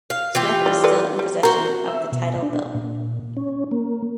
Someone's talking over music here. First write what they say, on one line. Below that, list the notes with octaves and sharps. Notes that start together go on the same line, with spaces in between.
Smith is still in possession of the title belt.
F5
E3 F4 G4
D5
A4 B4 D5
G3
F#4 A#4 C5
E5
B2
D4
A#2
C#4
A#3